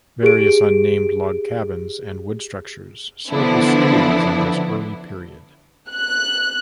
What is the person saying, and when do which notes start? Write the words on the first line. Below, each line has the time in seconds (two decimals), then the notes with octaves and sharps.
Various unnamed log cabins and wood structures served as schools in this early period.
0.23 G4 G#4 D7
3.30 D3 E3 F3 B3 D4 E4
5.90 F#6